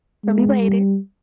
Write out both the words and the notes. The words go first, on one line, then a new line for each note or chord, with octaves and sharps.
some people hate it.
G#3
G3